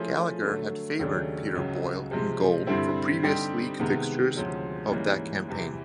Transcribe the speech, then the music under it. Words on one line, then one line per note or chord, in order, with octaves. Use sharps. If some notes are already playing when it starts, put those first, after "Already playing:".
Gallagher had favoured Peter Boyle in goal for previous league fixtures of that campaign.
Already playing: F3 A3 C#4 E4 G#4
D3 F#3 A3
D#2 C#3 F#3 A3 D4
C#2 C#3 F#3
C3 F3 G#3
G2 D3 G3 C4 E4
D3 G3 C4 D#4 G4
C3 D#3 G#3 B3
D2 C3 F3 G#3 C#4
G#2 E3 G3 A#3 C#4
E2 C3 E3